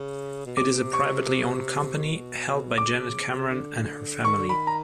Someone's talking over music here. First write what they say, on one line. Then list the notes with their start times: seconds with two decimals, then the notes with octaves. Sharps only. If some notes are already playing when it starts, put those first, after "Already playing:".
It is a privately owned company, held by Janet Cameron and her family.
Already playing: C#3
0.46 B2
0.57 C3 D6
0.93 C#6
2.03 B2
2.77 C#3 D6
3.51 D3
4.25 D#3 C#6
4.37 D3
4.49 D#3 B5
4.67 A#5